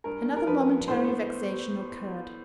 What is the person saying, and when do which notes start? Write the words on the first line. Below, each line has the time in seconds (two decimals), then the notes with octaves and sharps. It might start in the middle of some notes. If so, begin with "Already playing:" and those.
Another momentary vexation occurred.
0.04 G2 A#4
0.25 G2
0.36 A#4
0.46 F3 B4
0.67 G2
0.88 A2 C5
1.09 B3